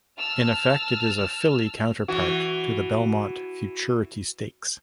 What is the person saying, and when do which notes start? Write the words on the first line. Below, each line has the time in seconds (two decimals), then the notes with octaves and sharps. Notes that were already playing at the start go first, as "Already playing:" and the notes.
In effect, it is a filly counterpart to the Belmont Futurity Stakes.
0.19 A5 E6 F6
2.08 E3 F#4